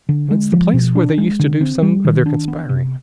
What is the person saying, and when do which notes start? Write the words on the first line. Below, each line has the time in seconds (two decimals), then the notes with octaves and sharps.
And it's the place where they used to do some of their conspiring.
0.09 D3
0.31 G#3
0.52 F3
0.74 B2
0.95 D4
1.18 G#3
1.39 D3
1.61 C4
1.82 G3
2.05 D#3
2.26 D4
2.48 B3
2.69 C3